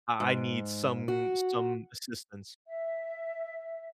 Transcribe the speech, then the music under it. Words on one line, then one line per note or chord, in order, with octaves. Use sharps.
I I need some some assistance.
G#2
F#4
E5